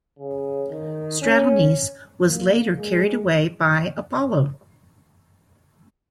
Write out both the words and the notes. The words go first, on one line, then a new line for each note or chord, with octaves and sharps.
Stratonice was later carried away by Apollo.
C#3
D#3
C#4
A#3
G#3